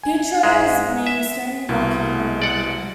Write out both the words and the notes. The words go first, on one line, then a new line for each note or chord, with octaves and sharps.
"Pietros" means "stony, rocky" in Romanian.
G#5
G#2 G#3
E5
C2 B2 E4
D5 F#5